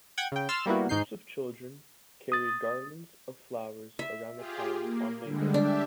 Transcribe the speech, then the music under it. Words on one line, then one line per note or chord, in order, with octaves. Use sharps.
Groups of children carry garlands of flowers about the town on May Day.
F#5 G5 G#6
C#3 G5
C6 E6 F6 A6 E7
G3 A#3 B3 E4 F#4
G#2 D#4 G6 C7
D#6 A6
E5
F4 G4 G#4
A#3
D3 G3 G#3
D4 G4 E5